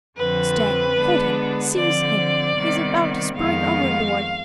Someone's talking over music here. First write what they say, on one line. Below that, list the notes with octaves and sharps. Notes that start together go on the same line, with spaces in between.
Stay--hold him--seize him!--he is about to spring overboard!
F2 D3 F3 C4 B4
D3 G#3 B3 D4
D3 F3 C4 D5
C3 D#3 G3 B3
F2 D#3 G#3 B3 F5